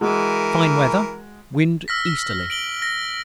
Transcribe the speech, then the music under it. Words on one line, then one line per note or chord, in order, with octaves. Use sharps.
Fine weather: wind easterly.
E3 G#3 F#4 A#4
E6 F6 A#6 B6
D7 F#7 G7
A#6